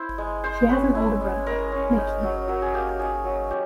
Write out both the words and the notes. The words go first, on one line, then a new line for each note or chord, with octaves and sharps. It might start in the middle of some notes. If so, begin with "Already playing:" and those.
She has an older brother, Micky.
Already playing: E4 C5
G#3
G#3 C5
C#4 B4
E4
G#3
G#3 A#4
C#4
D#4
F#3
F#3 A#4
G#4
A#3 G4
D#4 G#4
F#3
F#3 G4